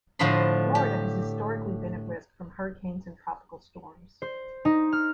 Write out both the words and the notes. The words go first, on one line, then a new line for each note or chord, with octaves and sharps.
Florida has historically been at risk from hurricanes and tropical storms.
A2 D3 F3 D#5 B5 C6
G4
C5
D#4
F6